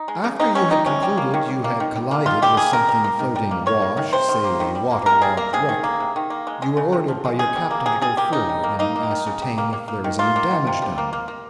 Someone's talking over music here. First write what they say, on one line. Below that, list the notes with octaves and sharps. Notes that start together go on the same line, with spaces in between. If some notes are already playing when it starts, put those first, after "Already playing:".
'After you had concluded you had collided with something floating awash, say a water-logged wreck, you were ordered by your captain to go forward and ascertain if there was any damage done.
Already playing: D#4
G#3
C#3
C3 D#4
D#3 C#4
G3 D#4
C3 C#4
G3
A#3
D#3
G3
A#3
D#3
G3
A#3
D#3 F4
G3 G4
A#3 G#4
C#3 A#4
G3
A#3
D#3
G3
A#3
A#3 C#5
A#3
D#3
C3 C5
D#3
A#3
D#3
G3
A#3
C3 A#4
G3 G#4
A#3 A#4
C3 G#4
D#3
A#3
C3
D#3
A#3
G#3
G#3
C#3
C3
F3
G#3
C#3 G#4
G3
A#3
C3 G#4
G3 G#4
A#3 G4
C#3 D#4
G3
A#3
A#3 D#4
A#3
D#3
C#3
G3
A#3
A#3
A#3
D#3
A#3 F4
A#3
D#3
C3
G3
A#3
A#3
A#3